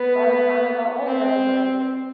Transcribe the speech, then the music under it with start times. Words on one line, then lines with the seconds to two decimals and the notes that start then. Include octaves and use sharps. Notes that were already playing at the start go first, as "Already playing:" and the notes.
by the time I got older, I was like,
Already playing: B3
1.06 C4